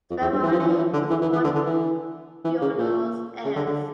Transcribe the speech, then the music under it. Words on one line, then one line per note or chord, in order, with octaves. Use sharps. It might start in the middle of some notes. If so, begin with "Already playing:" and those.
Speroni was born in Buenos Aires.
F2
E2
G2
E3
F3
E3
F3
E3
D3
E3
E3
E3
D3
D3
E3
E3
C#3
A#2
C#3
D3
D3